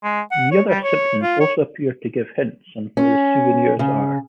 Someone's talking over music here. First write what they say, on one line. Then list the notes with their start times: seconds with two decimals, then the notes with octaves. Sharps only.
The other Simpsons also appear to give hints on where the souvenirs are.
0.04 G#3
0.31 F#5
0.51 C#5
0.69 G3
0.84 C#5
1.22 F4
1.40 C#5
2.97 C#4
3.79 C#3